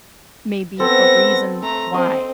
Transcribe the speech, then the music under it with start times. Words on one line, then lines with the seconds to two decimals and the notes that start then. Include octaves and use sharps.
maybe a reason why,
0.80 B3 C4 A4 A#6
1.62 A3 A#5
1.94 C4 D#5